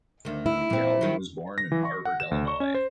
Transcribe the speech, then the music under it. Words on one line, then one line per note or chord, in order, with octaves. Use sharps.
Galvin was born in Harvard, Illinois.
D2 D#3
E4
A#2 C4
D#3 F#3
A#6
E3
C#6
F#5
E7
D2
C#6
C#4
C5